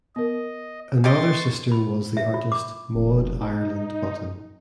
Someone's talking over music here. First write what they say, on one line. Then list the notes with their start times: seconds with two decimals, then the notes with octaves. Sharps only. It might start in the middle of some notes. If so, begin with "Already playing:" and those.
Another sister was the artist Maud Ireland Button.
0.16 B3 A#4 D#5
1.04 C3 G4 D#5 C6 C#6 A6
1.72 B5
2.17 E5
2.34 F4
2.52 D6
2.94 F1
3.41 D#4